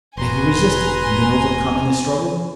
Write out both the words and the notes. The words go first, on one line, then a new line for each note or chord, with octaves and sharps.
Had he resisted, and been overcome in the struggle?
E1 B2 B4 G#5 A#5 C6